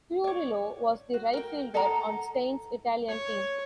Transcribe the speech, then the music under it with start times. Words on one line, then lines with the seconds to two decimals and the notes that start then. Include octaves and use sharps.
Furillo was the right fielder on Stein's Italian team.
0.24 C#5 D5
1.14 F#4
1.33 A#4 G5
1.74 A4 D#5 F#5 A#5
3.09 C#5